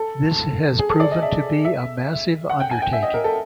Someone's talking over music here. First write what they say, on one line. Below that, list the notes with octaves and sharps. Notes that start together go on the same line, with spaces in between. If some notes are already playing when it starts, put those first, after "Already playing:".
This has proven to be a massive undertaking.
Already playing: A4
G#4
A4
D5
D#5
E5
E5
F#5
G5
G#5
G5
E5
D#5
A#4
A4